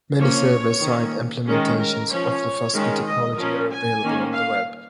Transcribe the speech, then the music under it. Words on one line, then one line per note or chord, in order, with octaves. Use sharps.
Many server-side implementations of the Fusker technology are available on the web.
F3 A#3 C#4 C#5
D#3 A#3 C#4
D#3 G#3 C#4 A#4
A#4
F3 C#4 C#5
D#3 G#3 C#4
D#5
F3 C#4 A#4
G#5
D#3 A#3 C#4
F5